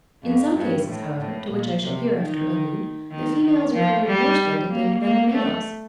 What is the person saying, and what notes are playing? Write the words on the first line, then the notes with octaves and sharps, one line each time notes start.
In some cases, however, to which I shall hereafter allude, the females are coloured more splendidly than the males.
F2
G2
A2
A2
A#2
C3
D#3
D#3
D#3
F3
G3
A#3
A#3
A3